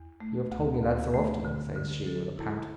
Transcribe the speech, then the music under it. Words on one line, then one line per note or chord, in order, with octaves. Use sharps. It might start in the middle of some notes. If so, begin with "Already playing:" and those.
"You have told me that so often," says she, with a pout.
Already playing: E2
A3
D2
D2
A3
D3
D3
A4
E4